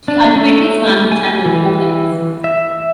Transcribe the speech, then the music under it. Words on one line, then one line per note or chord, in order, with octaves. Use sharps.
She ultimately swam the Channel four times.
D4
A3
G#5
E3
E5